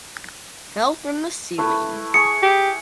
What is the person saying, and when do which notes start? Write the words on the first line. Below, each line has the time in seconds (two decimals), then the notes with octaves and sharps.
Fell from the ceiling!
1.58 A3 E4 B4
2.14 G#4 C#6 C#7
2.43 G4